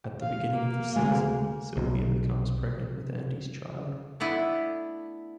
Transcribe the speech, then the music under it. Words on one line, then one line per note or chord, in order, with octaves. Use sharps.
At the beginning of the season, Sylvia becomes pregnant with Andy's child.
F5
A#3
D2 G#3
B1
A3 B3 D4 E4